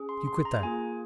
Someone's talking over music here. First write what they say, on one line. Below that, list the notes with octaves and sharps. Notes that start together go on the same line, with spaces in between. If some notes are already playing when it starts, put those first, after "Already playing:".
"You quit that!"
Already playing: C#4 G#4
C6
C6
A#5
A#3 F4 G#4 G#5